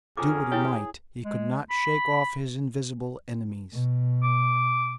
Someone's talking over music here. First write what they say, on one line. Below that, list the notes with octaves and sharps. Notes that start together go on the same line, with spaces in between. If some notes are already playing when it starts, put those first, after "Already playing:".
Do what he might, he could not shake off his invisible enemies.
F2 C#4 G#4 A#4 D6
E4 G4 C#5
G#3
B5
B2
D6